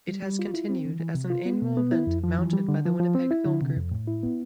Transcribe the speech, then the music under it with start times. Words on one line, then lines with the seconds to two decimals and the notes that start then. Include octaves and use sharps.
It has continued as an annual event mounted by the Winnipeg Film Group.
0.08 G3
0.23 G3
0.39 F4
0.54 E4
0.69 C4
0.85 E3
1.00 E3
1.15 C3
1.30 F4
1.46 B3
1.62 B2
1.77 B3
1.92 E4
2.07 F2
2.24 F3
2.39 E3
2.53 G3
2.69 D3
2.85 F3
3.00 F3
3.15 C4
3.31 E4
3.45 D3
3.62 C3
3.76 F2
3.92 A2
4.07 E4
4.23 B3